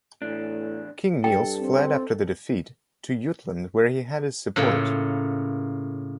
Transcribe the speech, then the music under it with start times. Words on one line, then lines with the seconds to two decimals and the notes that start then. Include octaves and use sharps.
King Niels fled after the defeat to Jutland where he had his support.
0.22 E2 A2 D4
1.24 G2 A4 G5
1.59 C4
4.56 A2 C#3 A#3 F4